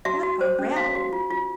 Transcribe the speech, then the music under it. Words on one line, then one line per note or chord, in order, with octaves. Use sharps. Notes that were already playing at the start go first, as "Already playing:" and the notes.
What a rabble!
F#4 E5
F#4
C5
C#4
F#4 F5
F#4
F4
F4